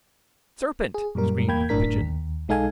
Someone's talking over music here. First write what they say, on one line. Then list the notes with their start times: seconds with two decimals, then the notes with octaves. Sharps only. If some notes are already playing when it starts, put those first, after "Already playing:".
'Serpent!' screamed the Pigeon.
0.94 G#4
1.15 F#2 A#2 G3 A#4
1.48 E2 A#3 G5 B5 G6 G#6
1.69 G1 F#2 A2 D4 A#4 B6
2.01 D#2
2.48 B1 G#3 D#4 A4 F5 G#5